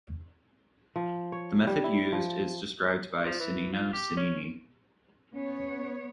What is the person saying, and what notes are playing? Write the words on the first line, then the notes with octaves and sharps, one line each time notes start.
The method used is described by Cennino Cennini.
F3
C#5
G3
E4
F3
F3
E3
F4
G4
C#4
B3 C#4 C#5